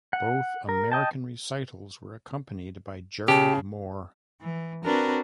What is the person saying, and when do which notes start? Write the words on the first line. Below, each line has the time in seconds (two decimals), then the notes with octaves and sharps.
Both American recitals were accompanied by Gerald Moore.
0.13 F#5
0.69 A#4
0.92 D#5 G5 A5
3.28 C#3 G4 A5
4.41 E3
4.84 C4 D4 F#4 A#4 B4